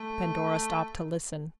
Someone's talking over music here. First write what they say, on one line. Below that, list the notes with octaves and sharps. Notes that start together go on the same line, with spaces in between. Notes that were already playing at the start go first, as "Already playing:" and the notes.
Pandora stopped to listen.
Already playing: A3